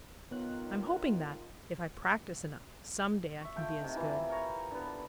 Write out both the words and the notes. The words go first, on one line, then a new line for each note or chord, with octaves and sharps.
I'm hoping that, if I practice enough, some day I can be as good.
D#3 B3 D#4 F4 C#5 F#6
E5 C#6
A3 F4 G5
C3 D#3
E3 F3 E4
A#4 C#5 A#5
D3 B3